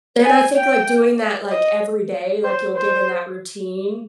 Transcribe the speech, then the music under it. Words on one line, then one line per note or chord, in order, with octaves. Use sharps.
And I think, like, doing that, like, every day, like, you'll get in that routine,
G#5
G5
D#5
C5
C5